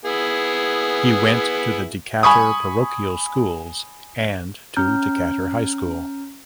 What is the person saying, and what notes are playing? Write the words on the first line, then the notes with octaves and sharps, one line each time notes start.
He went to the Decatur parochial schools and to Decatur High School.
B3 E4 G#4
G#5 B5 C#6 D#6
C#4 A#5 F6 G6